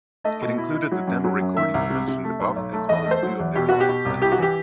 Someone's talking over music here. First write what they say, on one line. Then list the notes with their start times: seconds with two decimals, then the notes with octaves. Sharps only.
It included the demo-recordings mentioned above as well as two of their live-sets.
0.24 A3 D#5
0.41 B2
0.58 E4
0.74 E4
0.91 F#3
1.07 F#2
1.24 F#3
1.41 F#2
1.57 D#3 E5
1.74 C2
1.90 C3
2.07 C3
2.24 A3
2.40 B1
2.56 B1
2.73 A3
2.89 E2 D#5
3.06 A3
3.11 C5
3.23 F#3
3.39 E2
3.55 B2 G4
3.69 B2 F#4
3.80 G4
3.89 B2
4.05 C2
4.22 E4 G4
4.32 F#4
4.38 E3 G4